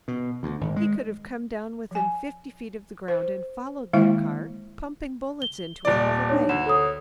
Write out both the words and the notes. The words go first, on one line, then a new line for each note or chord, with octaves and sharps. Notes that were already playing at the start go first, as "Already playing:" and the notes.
He could have come down within fifty feet of the ground and followed that car, pumping bullets into it all the way.
B2
D2
G#1
G#3
F3 G#5
C5
D#3 G#3 A#3 E4 E5 F5
G7
D#1 D5
D4 D#4 C#5
D2 E7
A4 C#5 D#6